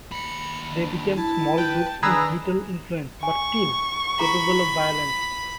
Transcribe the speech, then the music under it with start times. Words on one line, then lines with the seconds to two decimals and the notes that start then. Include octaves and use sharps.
They became small groups with little influence, but still capable of violence.
0.11 D#2 B5 C#7
0.74 D4
1.17 E4 A5
1.58 B4 G5
2.03 D#3 D4 G#4 B4 A#5 E6
3.23 G#5 C#6
4.20 E4 G#4 A#5 B5